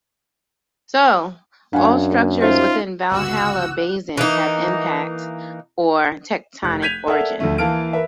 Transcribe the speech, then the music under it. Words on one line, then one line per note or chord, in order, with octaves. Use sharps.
So, all structures within Valhalla basin have impact or tectonic origin.
F#2 D4 F5 F#5 G#5
A#3
C#4 D#4 F4 C5 E5
G1 C#2 F#4 D6 E6 F#6
E3 A#3 D#4
F1 F#6
G6 G#6 B6 D#7 F7
A4 A#4 D5 E5 F#5
D2 F3 A3
E3 A#3 F5 A5 F6 D7
A#4 B4 E5